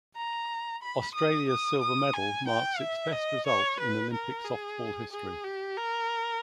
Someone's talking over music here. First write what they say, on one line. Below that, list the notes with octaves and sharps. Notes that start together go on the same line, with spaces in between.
Australia's silver medal marks its best result in Olympic softball history.
A#5
B5
D#6
D#6
D#6
G#5
G5
E5
D#5
C#5
B4
A#4
G#4
G#4
G4
A#4